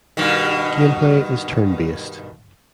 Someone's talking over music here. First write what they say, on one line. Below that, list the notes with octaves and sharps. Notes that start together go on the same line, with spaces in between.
Gameplay is turn-based.
G2 B2 D#3